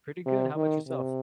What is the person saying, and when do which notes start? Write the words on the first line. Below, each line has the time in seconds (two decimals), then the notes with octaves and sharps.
Pretty good. How about yourself?
0.26 C3
0.56 D#3
0.87 C3